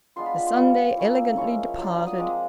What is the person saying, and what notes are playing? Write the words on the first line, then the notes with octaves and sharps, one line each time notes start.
The Sunday elegantly departed.
G#3 B3 D4 F4 C6
B5
B5
C6
G3 C4 F4 C#6
A#3 C#4 E4
F3 G#3 C#4 E4 C#6
F#3 A#3 D4 F4
D#6
F3 G#3 C4 D6